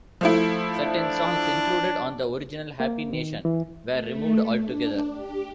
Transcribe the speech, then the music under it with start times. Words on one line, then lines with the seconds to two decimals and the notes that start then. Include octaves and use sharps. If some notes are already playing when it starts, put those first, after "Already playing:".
Certain songs included on the original "Happy Nation" were removed altogether.
0.21 F3 A3 E4
0.76 D4
2.80 A#3
3.13 D#3
3.45 E3
3.90 A3
4.64 D4
5.09 G4